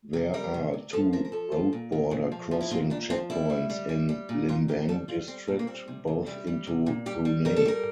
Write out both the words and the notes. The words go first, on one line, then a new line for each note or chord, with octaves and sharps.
There are two road border crossing checkpoints in Limbang district, both into Brunei.
C3
G3 A#4
C3
C3
F3 A4
F3 A#4
A#4
F3 A4
F3
A#2
A#2
A#2
F3
F3
E4
A#2 F4
A#2 D4
F3 C4
G3 E4
G3
G3
G3
G3
A#2
A#2 F4
A#2 G4
G3 A4
G3 F4
G3 C4
A#2 D4
A#3
G3 C4
C3
C3
G3 E4
G3
C3
A#2
G3 G4
G3
G3 A#4
A4
G3 A#4